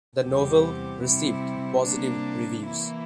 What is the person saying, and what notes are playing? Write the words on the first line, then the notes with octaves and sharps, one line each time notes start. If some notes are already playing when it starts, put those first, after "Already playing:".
The novel received positive reviews.
E2 C3 G3 C4 G4
C3 G3 C4 E4
C3 G3 A#3 D4
E3 A#3 E4